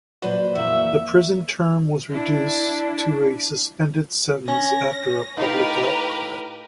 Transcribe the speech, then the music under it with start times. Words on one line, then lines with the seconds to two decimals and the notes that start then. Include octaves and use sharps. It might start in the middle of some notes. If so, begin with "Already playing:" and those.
The prison term was reduced to a suspended sentence after a public outcry.
0.22 A#2 F#3 D4 F#4 B4 C5
0.55 F2 E3 A#3 F#4 E5
2.09 D4 E4
4.48 C#4 A#6
5.37 A2 D#4 F4 G4 A#4 B4